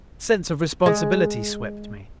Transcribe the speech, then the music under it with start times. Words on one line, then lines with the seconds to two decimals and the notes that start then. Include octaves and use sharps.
A sense of responsibility swept me.
0.86 G#3